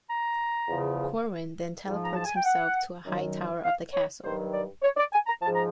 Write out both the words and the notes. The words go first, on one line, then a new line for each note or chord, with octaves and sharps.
Corwin then teleports himself to a high tower of the castle.
A#5
E2 C#3 F3
G#2 F3
A#5
A5
G#5
G5
F#5
F#2 D#3 F#3
F5
C#5
G2 D#3 F#3 C5
D5
C#5
D5
G#5
A#5
G#2 F3 A5
A#5